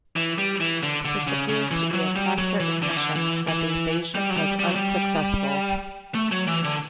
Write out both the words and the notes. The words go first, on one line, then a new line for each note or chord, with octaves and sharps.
This appears to be a tacit admission that the invasion was unsuccessful.
E3
G3
E3
D3
D3
C#3
C#3
E3
F#3
G3
F#3
E3
D3
E3
D3
E3
E3
G3
F#3
G3
G3
F#3
G3
A3
F#3
E3
D3